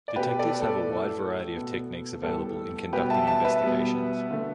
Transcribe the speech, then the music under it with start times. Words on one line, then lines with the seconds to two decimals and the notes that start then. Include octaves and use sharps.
Detectives have a wide variety of techniques available in conducting investigations.
0.08 D5
0.16 B2 A3 G4 B4
0.39 A4 D5
0.62 A4
0.85 A2 A3
1.54 B2 B3
2.23 A2 G3 B3 A4
2.92 B2 G3 B3 G4 B4
3.10 E5 A5
3.27 E5 A5
3.45 B4 E5
3.62 B2 G3 B3
4.31 D3 A3